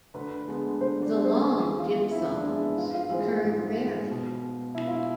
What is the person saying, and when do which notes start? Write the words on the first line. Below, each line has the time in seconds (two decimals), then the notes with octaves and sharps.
The long diphthongs occurred rarely.
0.14 D2 B4
0.47 D3 G#3 B3
0.80 D2 C5
1.03 D5
1.14 D3 G#3 B3
1.24 C5
1.47 F2 G#4
1.79 E3 G#3 B3 F4
2.11 F2 E4
2.34 D4
2.45 E3 G#3 B3
2.56 E4
2.78 G#2 F4
2.94 F4
3.11 E3 G#3 C4 G#4
3.28 F4
3.43 G#2
3.77 E3 G#3 C4
4.10 B2
4.43 B3
4.75 B2 E4
4.88 F4
4.91 E4